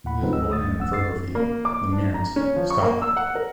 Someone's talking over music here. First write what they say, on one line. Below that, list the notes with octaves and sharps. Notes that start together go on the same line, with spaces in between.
He was born in Inverbervie, the Mearns, Scotland.
D#2 A2 F#5 B5
C#3 F#3 C4 D#4 F4 B4
D2 G#3 G#4 D#5 E6
D2 D#6 A6
B1 F#5 E6
F#2 A6 C7
A#3
D6
D4
A#5
C#4
F3
C#6
A#3
E6
F#5
A#4